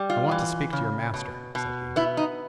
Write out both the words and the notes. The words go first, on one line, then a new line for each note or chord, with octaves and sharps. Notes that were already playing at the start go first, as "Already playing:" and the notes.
'I want to speak to your master,' said he.
Already playing: G3
F4
E3
C#3
B2
B2
B3 E4
D#4